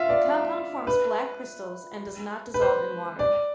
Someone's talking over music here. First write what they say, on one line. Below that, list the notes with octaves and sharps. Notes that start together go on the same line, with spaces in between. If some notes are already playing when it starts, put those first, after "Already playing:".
The compound forms black crystals and does not dissolve in water.
Already playing: F4 E5
D5
B4
B4
C5
D5